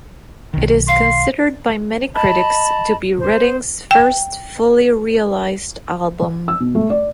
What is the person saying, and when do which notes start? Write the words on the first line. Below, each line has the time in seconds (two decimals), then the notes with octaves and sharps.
It is considered by many critics to be Redding's first fully realized album.
0.54 B1 D#3
0.88 F5 C6
2.15 D#5 A5 B5
3.17 C5
3.91 G5
6.48 E6
6.60 B2
6.75 A3
6.90 D5